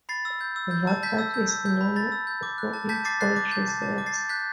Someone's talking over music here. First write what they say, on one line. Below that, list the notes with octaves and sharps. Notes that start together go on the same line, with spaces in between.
Vakaga is known for its oil reserves.
B5 A6 C7
E6
G6
E6
G6
A5
A5 G6 B6
E6
G6
E6
G6
B5
B5 A6
E6
G6
D6
F#6
A5
A5 G6 B6
D6 A6 C7
F#6 A6 C7
D6
G6
A5
A5
D6
A6 C7
G6
F#6 G6 B6